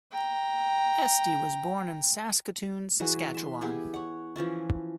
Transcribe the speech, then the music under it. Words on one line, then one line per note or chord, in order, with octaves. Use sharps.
Estey was born in Saskatoon, Saskatchewan.
G5 A#5
E3 F#4 G#4 B4
E5 C6
B3 E4 G4 G#4
C#5 F#5
E3 F3 C#4 E4